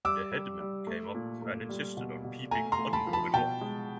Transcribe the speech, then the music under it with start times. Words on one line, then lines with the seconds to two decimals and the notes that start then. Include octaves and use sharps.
The headman came up and insisted on peeping under the cloth.
0.05 G3 D6 E6
0.32 G3
0.60 G3
0.87 A3
1.15 A#2
1.42 A3
1.69 G3
1.97 B2
2.24 B2
2.51 A3 G#5 A#5
2.72 A#5 C6
2.79 A3
2.93 A5 B5
3.07 F3
3.13 A5 B5
3.34 B2 G5 A5
3.61 G#3